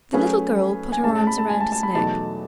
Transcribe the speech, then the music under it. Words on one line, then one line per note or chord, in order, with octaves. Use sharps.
The little girl put her arms around his neck.
F#3 A3 C#4 G#4 B4 G#5
G#5
A2 G#3 C#4 A5
A5
B5
A5
G#5
A5
A5
B5
E2 B2 F#3 A3 D#4 A5